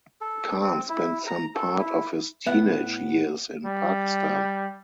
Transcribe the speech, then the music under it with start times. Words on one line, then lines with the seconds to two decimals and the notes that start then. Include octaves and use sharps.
Khan spent some part of his teenage years in Pakistan.
0.21 A4
0.61 C4
0.89 E4
1.27 A#5
1.55 A4
1.78 E4
2.47 A2 B3 E5 F#5
3.65 G3